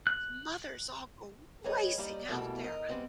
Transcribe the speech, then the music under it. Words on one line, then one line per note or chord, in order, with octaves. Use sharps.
The mothers all go racing out there
F#6
G3 G#4 B4 C#5 D#5
G3 A#3 G4 D5 D#5
F2 B2 E3 G3 A3 A#3
G#2 A#4 D#5
G3 G#3 B3 C4 D#4